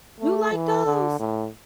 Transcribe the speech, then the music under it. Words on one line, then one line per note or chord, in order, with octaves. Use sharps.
You like those?
A3
E3
D3
A2